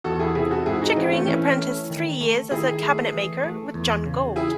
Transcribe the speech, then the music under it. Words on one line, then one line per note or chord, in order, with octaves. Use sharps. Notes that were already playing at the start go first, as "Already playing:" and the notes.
Chickering apprenticed three years as a cabinet maker with John Gould.
E2 F#4 A4
E4 G#4
C3 E4 G#4
F#4 A4
G#2 E4 G#4
D#4 F#4
E3 C4
A3 C#4
E3 C#4 E4
A3
D#3
A3
D#3 E4 G#4
A3
E3
A3
E2
C#3
E4 G#4